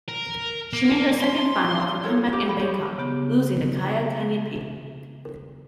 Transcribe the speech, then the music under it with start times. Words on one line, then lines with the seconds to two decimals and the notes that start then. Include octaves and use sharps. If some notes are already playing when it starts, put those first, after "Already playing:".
She made her second final of her comeback in Bangkok, losing to Kaia Kanepi.
0.09 A#4
0.73 A#3
1.20 C6
2.03 E4 A4 A#4 C#5
2.16 E4 F4
2.33 G4
2.45 G4 G#4 F#5 B5
2.60 D#4 G#4 C5 C#5
2.98 C#3 B3 G4